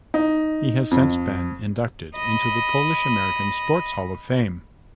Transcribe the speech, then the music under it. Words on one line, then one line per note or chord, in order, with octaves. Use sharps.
He has since been inducted into the Polish-American Sports Hall of Fame.
D#4
F2
D#5 B5